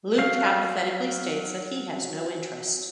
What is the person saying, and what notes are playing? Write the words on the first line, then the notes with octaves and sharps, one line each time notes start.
Luke apathetically states that he has no interest.
F#3 F5